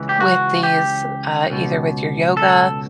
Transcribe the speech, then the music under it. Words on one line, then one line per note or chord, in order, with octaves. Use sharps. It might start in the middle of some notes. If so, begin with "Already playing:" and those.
with these uh, either with your yoga
Already playing: C#2 C#3 E3
G4
F#4
G4
C#2 B2
A4